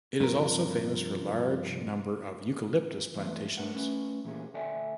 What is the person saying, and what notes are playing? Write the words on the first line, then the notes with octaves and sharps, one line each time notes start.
It is also famous for large number of "Eucalyptus" plantations.
G2 C3 F3 A#4
E3 A3 B3 C4
A3 D4 A#4 B4 F#5
A3 C#4 B4
A#2 E3 G3 A#3 B3 G#4
D2 A4 D5 E5 G5 G#5